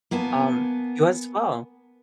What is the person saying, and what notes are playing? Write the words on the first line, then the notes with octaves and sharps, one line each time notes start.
um, you as well.
A#3 B3 G#5 A5